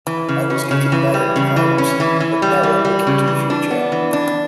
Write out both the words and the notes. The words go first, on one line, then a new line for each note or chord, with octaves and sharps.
I was getting bad vibes, but now I'm looking to the future.
E3
C#3
C#4
C#3
E3
G3
C#3
E3
C#4
E3
E3
G3
E3
G3
C#3
E3
D4
B3
E3
D4